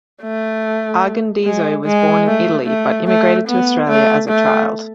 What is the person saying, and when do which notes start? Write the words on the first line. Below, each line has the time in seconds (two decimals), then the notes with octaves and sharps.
Argondizzo was born in Italy, but immigrated to Australia as a child.
0.22 A3
1.45 G#3
1.85 G#3
2.27 A3
2.66 A3
3.07 A3
3.48 B3
3.88 A3
4.28 A3